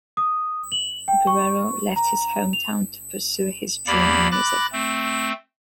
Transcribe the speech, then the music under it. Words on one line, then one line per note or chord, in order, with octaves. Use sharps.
Guerrero left his hometown to pursue his dream in music.
D#6
F#7
G5
C#6
A#5
F7
E2 A#3 G4 D5 B5
B5 D6 F#6 A6 A#6
A3 C4